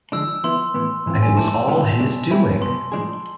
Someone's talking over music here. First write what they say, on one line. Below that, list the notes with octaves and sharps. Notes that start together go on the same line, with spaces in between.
And it was all his doing!
D3 F3 G#3 D4 E6
F3 B3 E4 C6
A2 E3 B3
G#2 E3 G#3 C4 F4
G#5
F3 A3 E4 B4 D5 A5
C2 C3 G#3 B3 F4
C2 B2 G#3 D4
B2 A3 C4 E4
C2 B2 B3 C6
A2 F3 G#3 D4 G#4